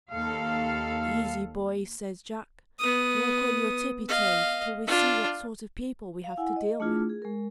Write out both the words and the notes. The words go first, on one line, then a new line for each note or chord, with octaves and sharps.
"Easy, boys!" says Jack: "walk on your tippy toes till we see what sort of people we have to deal with."
D#2 A4 F5
B3 D#6
D#5 F5
D4 F4
F5
E4 F#5 G#5
D#5
A3 D4 E4 F4 G#4
G#4
G#3 A#4